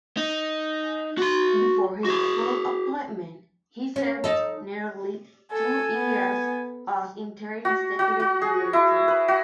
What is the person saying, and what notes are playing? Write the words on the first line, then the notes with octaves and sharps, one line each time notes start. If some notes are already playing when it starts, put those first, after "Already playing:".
Before his full appointment, he served nearly two years as interim Executive Director.
D#4
F#4 C6
F#4 G#4
C#4
D#4 A4
A4 G#5
B3
F#4
F#4
F#4
G#4
E4
B4
F#4